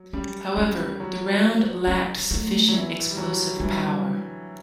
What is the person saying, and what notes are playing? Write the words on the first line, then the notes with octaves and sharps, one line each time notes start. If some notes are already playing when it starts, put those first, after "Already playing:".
However, the round lacked sufficient explosive power.
Already playing: F#3
G3 C#4
G3 C#4
F#3
C#4
A3
F#3
E3
G3
F#3
D3
E3 G3